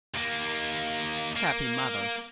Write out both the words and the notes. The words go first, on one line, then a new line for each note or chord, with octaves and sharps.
Happy mother!
D#2 A#3
A#3